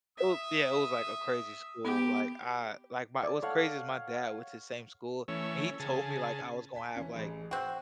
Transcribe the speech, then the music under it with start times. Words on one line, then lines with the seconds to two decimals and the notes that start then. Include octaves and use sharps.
it was Yeah, it was, like, a crazy school. Like, I like, my what's crazy is my dad went to same school, and he told me, like, I was gonna have, like,
0.19 E5 D#6
1.85 B3 G4
3.23 D5 E5
3.42 A4 C#5 F5 F#5
5.28 E3 A3 C#4 C#5 E6
5.80 C#3 G#4 A5
6.75 A5 B6
6.96 E3 C#4
7.16 A1 G#4
7.51 C4 F#4 G5